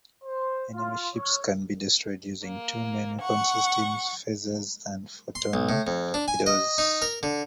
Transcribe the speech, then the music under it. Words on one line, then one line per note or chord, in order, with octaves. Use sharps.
Enemy ships can be destroyed using two main weapons systems: phasers and photon torpedoes.
C5
F4
C#5
A#3
F#5 C#6
C6
B1
A2
F2
D4
G#5
D#5
D#4
A#4
D3